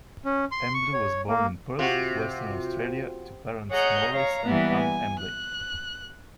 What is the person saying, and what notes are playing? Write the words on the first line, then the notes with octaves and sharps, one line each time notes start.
Embley was born in Perth, Western Australia, to parents Maurice and Anne Embley.
C#4
C6
C#6
C#5
A#3
C3 F4 F#4
G#4 C#5 D#5 F#5 A#5 G6
C#5 F5 A#5
E3 G3 A#3 B3
G#5
F#6